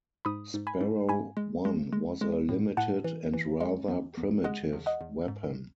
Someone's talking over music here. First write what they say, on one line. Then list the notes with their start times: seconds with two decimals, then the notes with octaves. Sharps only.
Sparrow One was a limited and rather primitive weapon.
0.25 G#2 B5 D#6
0.54 G#2
0.67 G#5 B5
0.81 G#2
1.09 G#2 G#5 B5
1.37 G#3
1.65 G#3
1.93 G#3
2.21 G#3
2.49 A2
2.77 A2 F#5 A5
3.04 E3
3.34 E3
3.61 G#3
3.88 E2
4.17 E2
4.44 G#3 D#5 F#5
4.73 E2
4.86 D#5 F#5
5.01 E2
5.28 G#2